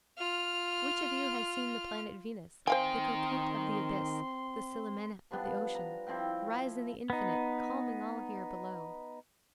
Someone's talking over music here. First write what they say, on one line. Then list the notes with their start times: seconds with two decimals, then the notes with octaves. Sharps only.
Which of you has seen the planet Venus, the coquette of the abyss, the Celimene of the ocean, rise in the infinite, calming all here below?
0.18 F4 F6
2.67 D#3 C4 C5 F5 G5 G#5 C6
5.31 F3 G3 B3 D4
5.75 A#5
6.07 F3 C4 E4 G5
7.10 B3 D#4